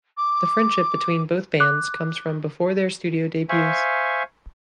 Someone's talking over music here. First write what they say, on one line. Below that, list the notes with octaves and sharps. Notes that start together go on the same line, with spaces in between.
The friendship between both bands comes from before their studio debuts.
D6
D6 F#6
C5 E5 F5 G#5 C#6